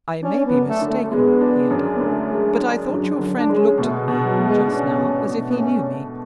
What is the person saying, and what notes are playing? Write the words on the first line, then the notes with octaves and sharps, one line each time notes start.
"I may be mistaken," he added; "but I thought your friend looked at me just now as if he knew me."
C#4 D4
C#4
B3
F#2
A3
D3
A3
A3
G#3 B3
D4
F#2
B3
D3 A3
G#3
D4
F#2 F#3
F#3
D3
D4
G#3
C#4
B2 A3
B2
F#3
A3
G#3
C#4 D4
B2
B2
B3
A3 C#4